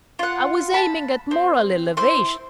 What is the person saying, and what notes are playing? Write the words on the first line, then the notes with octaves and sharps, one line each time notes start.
I was aiming at moral elevation....
F4 F#5
A5 B5
C4
E4 C5 C6